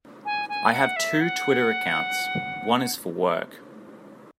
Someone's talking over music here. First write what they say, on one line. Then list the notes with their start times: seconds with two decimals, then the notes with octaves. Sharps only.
I have two Twitter accounts, one is for work.
0.25 G#5
0.49 G#5
0.73 F#5
0.96 E5
1.20 F#5